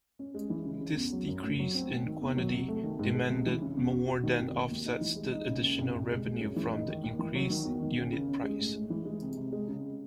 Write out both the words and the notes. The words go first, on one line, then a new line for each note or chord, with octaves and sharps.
This decrease in quantity-demanded more than offsets the additional revenue from the increased unit-price.
C#4
G#3
E3
C#3
C#3
E2
F#3
F#2
A2
F#3
C4
A2
D#3
E2
F#3
C3
A3
D#3
G#2
G#3
C3
E3
C#3
E2
F#4
F#4
D#3
C2
D#2
D#2
D#4
E3
G#3
D#4
C#3
D#2
C2
C2
G#3
G#3
F#2
E3
D#4
D#3
D#2
E3
F#3
D#3
E2
D#3
C#3
C#3
C#4
G#3
A2
A2
E3
G#3
C3
C3
G#3
C#3